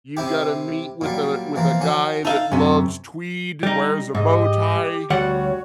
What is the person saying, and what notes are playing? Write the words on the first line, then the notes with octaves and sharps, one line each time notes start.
you gotta meet with a with a guy that loves tweed, wears a bow tie,
C3 E4 G4
A#2 F#3 G3
E3 F3 A#3
C#4 F#4
D#4 A4 E5 F5
F#2 C3
G3 D#4
G#2 G4 D#5
D2 G3 F#4 C#5 F#5